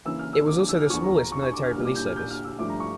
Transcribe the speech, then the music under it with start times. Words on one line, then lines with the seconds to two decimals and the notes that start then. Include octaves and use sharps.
It was also the smallest military police service.
0.05 C#3 E3 A#3 E6
0.19 F6
0.33 E6
0.47 D6
0.58 D6
0.69 E6
0.79 F6
0.90 E2 D3 F3 C#6
1.04 A#5
1.18 A#5
1.32 C#6
1.42 C#6
1.54 D6
1.64 F6
1.74 A#2 G3 A#3 F6
1.85 D6
1.95 G6
2.06 F6
2.16 G6
2.31 F6
2.44 E6
2.59 G2 F3 A3 D6
2.70 A#5
2.80 C#6